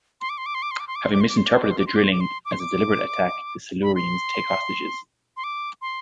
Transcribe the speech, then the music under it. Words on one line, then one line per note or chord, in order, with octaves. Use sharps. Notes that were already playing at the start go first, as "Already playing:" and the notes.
Having misinterpreted the drilling as a deliberate attack, the Silurians take hostages.
C6
D6
C6
D6
C6
D6
C6
D6
C6
D6
C6
D6
C6
D6
C6
D6
C6
D6
C6
D6
C6
D6
C6
D6
C6
D6
C6
D6
B5
C6
C6
D6
C6